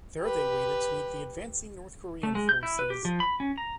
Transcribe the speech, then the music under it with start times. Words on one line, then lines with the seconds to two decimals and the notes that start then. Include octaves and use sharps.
There they waited to meet the advancing North Korean forces.
0.21 G4 B4
2.23 A3
2.35 G#3
2.49 G6
2.63 E4
2.79 B4
2.90 G4
3.05 F3
3.20 B5
3.40 C#4
3.58 A#5